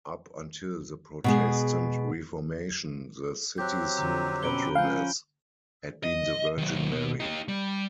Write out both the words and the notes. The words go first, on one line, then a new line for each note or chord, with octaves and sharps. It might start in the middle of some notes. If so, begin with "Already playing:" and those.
Up until the Protestant Reformation, the city's patroness had been the Virgin Mary.
B2 G#3 G#4
F#3 C4 G4 F#6 G6
F2 D3 A#5
B2 C#4 B5 D7 G7
F3 C4 C#4 F5 F#5 G#5 G6
D#5
D#3 F#3
B2
D#4 G4
G3